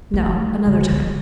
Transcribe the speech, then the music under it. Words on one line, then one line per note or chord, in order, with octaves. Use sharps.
"No, another time."
A3
D3
B3